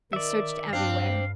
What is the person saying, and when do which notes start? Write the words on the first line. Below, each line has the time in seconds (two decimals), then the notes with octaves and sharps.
They searched everywhere.
0.13 D#3 D5 E5
0.73 G2 C4 D4 F5